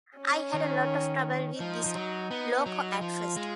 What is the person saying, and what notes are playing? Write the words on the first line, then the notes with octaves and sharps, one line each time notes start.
I had a lot of trouble with this loco at first.
C#4
D#3
F3 D#4
F3
F#3
B3
F#3
F3 F4
G#3